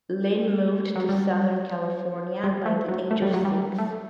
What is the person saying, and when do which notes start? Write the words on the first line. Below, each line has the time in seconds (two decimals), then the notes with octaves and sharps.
Lin moved to Southern California by the age of six.
0.96 F#3
1.09 G3
2.44 G3
2.66 A3
2.88 F#3
3.11 A3
3.22 G3
3.34 F#3
3.45 G3
3.78 A3